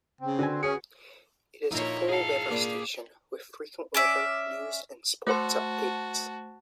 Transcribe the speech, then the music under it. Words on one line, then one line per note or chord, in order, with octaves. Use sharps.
It is a full service station, with frequent weather, news and sports updates.
C#3 C4
D3 F#4 B4 G#5
C#4 G#4 C#7
A#2 F3 A#3 D#4 E4 C#5
G#4 F5 A5
A#2 D4 B5
C#4 D5 E5
A3 F#4 C5 A5 C6